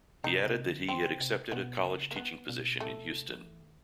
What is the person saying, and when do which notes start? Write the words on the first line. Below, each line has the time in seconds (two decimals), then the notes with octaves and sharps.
He added that he had accepted a college teaching position in Houston.
0.24 C3 D#4
0.46 C3
0.67 D3
0.88 D#3 C4
1.04 C#3
1.20 C3
1.52 B2 B3
1.84 C#3
2.11 A#3
2.16 B3
2.49 B2
2.80 A#2 A3
2.96 B2
3.12 C3
3.28 F3
3.45 E3
3.61 D#3